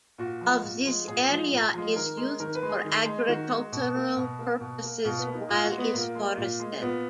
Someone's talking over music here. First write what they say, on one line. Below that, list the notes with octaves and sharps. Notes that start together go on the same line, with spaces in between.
Of this area, is used for agricultural purposes, while is forested.
A#2 F#4
F3 G#3
A#2
F3 G#3
A#2 G#4
F3 G#3
A#2
F3 G#3
D#3 A#4
G#3
D#3 A#4
B4
G#3
G#4
D#3
G#3
D#3 F#4
G#3
B2
A#3
B2
A#3
B2
A#3
B2 F4
B3
A#3
D#4
A#2 F4
F#4
G#3
B3
A#2 A#3
G#3
A#2
G#3
A#2 B3